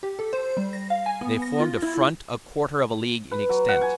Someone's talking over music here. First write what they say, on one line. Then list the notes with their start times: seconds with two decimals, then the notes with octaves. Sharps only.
They formed a front a quarter of a league in extent.
0.03 G4
0.19 A4
0.33 C5
0.57 G3
0.73 A#6
0.90 F5
1.06 G#5
1.21 B3
1.42 A#6
1.60 F4
1.82 E4
3.31 B4
3.49 F#3
3.69 F#5
3.81 G#5